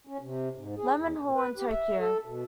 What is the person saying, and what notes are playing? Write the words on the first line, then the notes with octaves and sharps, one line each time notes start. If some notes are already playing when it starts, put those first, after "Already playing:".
Lemon Hall in Tokyo.
C#4
C3
G#2
G#4
E2
A#2
B4
G4
E5
A4
B2